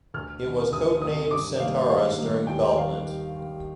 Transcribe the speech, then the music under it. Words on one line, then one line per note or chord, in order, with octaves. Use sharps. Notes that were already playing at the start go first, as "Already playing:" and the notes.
It was code-named "Centaurus" during development.
D2 F6
C3 D#3
D2 D#6
C3 D#3 D#6
G2 D6
D#3 G3 A#3 F5
G2 F5
D#3 G3 A#3
D#2 G5
G5
D#3 G3 F5